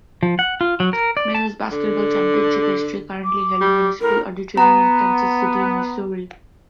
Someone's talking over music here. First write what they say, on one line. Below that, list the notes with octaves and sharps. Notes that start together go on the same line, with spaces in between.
Men's Basketball Championship History; currently held Municipal Auditorium in Kansas City, Missouri.
F3
F#5
F4
F#3
A#4
D5
A5
D3
D6
G3
A2 A#4
B3 A#5